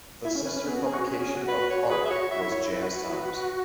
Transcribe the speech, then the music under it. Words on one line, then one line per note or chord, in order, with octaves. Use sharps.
The sister publication of "Harp" was "Jazz Times".
E4 E5
C#4
C#4 B4
C#4
B3 G#4
F#4
C#4 G#4
F#4
C#4
C#4
F#4
B4
C#5
G#4 B4
E5
F#4 C#5
F#4 E5
E4
E4 C#5
E4
E4 B4
F#4
F#4
E4
F#4
F#4